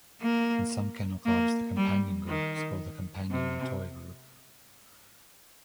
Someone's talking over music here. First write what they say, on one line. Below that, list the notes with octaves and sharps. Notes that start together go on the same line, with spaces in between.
In some kennel clubs the "Companion Group" is called the "Companion and Toy Group".
A#3
A#3
G3
D#3
C3